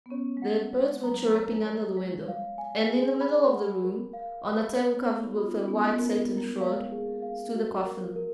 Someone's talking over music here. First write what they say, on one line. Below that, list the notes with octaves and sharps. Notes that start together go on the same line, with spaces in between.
The birds were chirruping under the window, and in the middle of the room, on a table covered with a white satin shroud, stood a coffin.
B3
C#4 C#5
G#3
A#3 F#5
G#3 C#5
G#3
F#3 A#5
C#5
G#3
C#5
G#3 C#5
F5
G#5
G#4
B5
F#5
A#4
F5
B5
B3 C#5
C#5
D#4
F#4
F4 B5
D#4
C#4
B3 D#4
B3
A#4
A#3
G#3
A#4
A#3
G#3 F5
G#4
F5
F#4
A#4
A#4